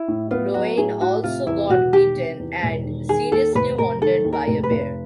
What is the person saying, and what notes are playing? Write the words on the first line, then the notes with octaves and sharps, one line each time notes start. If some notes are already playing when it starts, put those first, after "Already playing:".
Groanin also got beaten, and seriously wounded, by a bear.
Already playing: E4
A2
B3 F4
F#3 F#4
A2 G#4
A2 F#4
C3 F4
E2 E4
E1 F#4
D#3 G4
C3
E2
E1
D#3
D#3 G#4
D#2 A4
F1 B4
F1 A#4
D#3 A4
D#2
A#4
F1
B4
F1